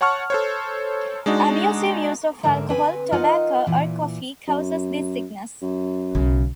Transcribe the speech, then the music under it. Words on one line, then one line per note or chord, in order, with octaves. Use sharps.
Abusive use of alcohol, tobacco or coffee, causes this sickness.
C#5 F#5 A5 C#6 F6
A4 C5 C#5
G#3 D4 D#4 F#4
G#2 D3 A#4 E5
C4 B4 G#5
D#4 F4 A#4 D#5 F5 F#5
A#2 E3
F#2
F#2
B1 C#3